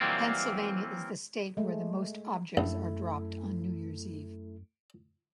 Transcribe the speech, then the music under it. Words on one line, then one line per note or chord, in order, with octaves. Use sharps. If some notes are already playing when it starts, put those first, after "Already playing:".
Pennsylvania is the state where the most objects are dropped on New Year's Eve.
E3 F#3 G3 A#3 C4 F4
G#3 A3
A#1 F#2 A3 E4 A4